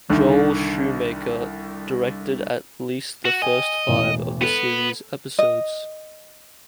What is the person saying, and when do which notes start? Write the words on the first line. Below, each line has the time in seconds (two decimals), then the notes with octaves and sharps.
Joel Schumaker directed at least the first five of the series' episodes.
0.10 C2 D3 D#3
3.25 F#4
3.42 D#5 G5 G#5
3.88 E1 A1
4.42 B3 A4 B4
5.39 D#5